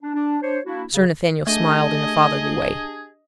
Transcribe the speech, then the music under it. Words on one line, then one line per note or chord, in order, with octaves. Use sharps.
Sir Nathaniel smiled in a fatherly way.
D4
D4
D4 C5 C#5
A#3 D4 E4 F#4
C#3
A3 D4 G4 G#4 D#5 A5